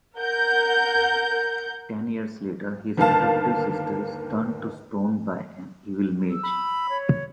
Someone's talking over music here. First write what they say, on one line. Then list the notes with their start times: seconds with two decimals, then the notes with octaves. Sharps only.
Ten years later, his adoptive sister is turned to stone by an evil mage.
0.18 A#4 F#5 G6
2.97 G1 D#2 A#3 F5 A5
6.30 E6
6.43 B5
6.89 C#5